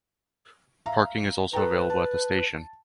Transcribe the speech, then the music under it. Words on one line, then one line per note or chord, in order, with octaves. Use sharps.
Parking is also available at the station.
E5 F5 A#5
A4 B4 G5 A#5
A5